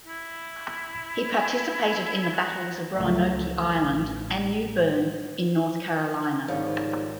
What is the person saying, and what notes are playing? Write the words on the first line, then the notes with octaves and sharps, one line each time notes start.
He participated in the battles of Roanoke Island and New Bern in North Carolina.
E4
F#4
C#2 F#3 A3
A1
G#1 G#2 F3 G3 C#5 D5